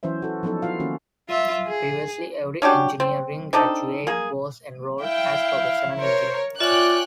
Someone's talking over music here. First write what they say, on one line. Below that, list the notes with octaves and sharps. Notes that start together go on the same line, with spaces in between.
Previously every engineering graduate was enrolled as professional engineer.
E3 F#3 C#4 C5 E5
F#4 A4
F3 F#3 B3 D#4 A4
E4 F4 F5
D#3 A#3 C#4 F#4
F4 E5
G#4
C#4 D4 F#4 G4
C4
C4 D4 D#4 A4
A#3 G#4
E4 F5 G5
A#4 C5 C#5
F4 C#5 D5 E5 G5 G#5 D6 F#6